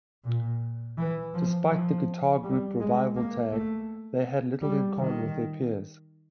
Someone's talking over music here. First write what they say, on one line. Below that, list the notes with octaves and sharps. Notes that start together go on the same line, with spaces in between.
Despite the "guitar group revival" tag, they had little in common with their peers.
A#2
E3
F3
F3
G3
G#3
A#3
A3
G3
D#3